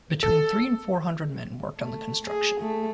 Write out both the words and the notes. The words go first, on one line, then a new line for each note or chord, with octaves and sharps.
Between three and four hundred men worked on the construction.
A4
A3
G#4
A3